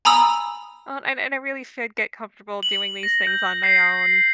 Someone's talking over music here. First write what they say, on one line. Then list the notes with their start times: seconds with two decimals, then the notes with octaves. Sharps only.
Uh, and and I really should get comfortable doing these things on my own.
0.05 G#5 A#5 B5 D#6 E6
2.63 F#7
3.03 A#6
3.27 G6
3.63 C7